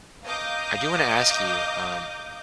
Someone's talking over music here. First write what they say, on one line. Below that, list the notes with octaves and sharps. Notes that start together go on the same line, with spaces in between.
I do wanna ask you, um,
D#5 F5 A#5 D6 D#6 G6